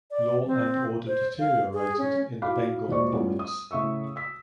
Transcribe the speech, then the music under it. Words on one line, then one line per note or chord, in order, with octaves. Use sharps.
Law and order deteriorated in the Bengal province.
D5
C4
C5
F5
G#4
C#4
E4 F#4 F5 B5 D6
E1 A#2 G#3 C5 D5 C#6
A2 G3 B3 C#4 F4
D#6
A2 C#3 E5 C#6 E6
E6 B6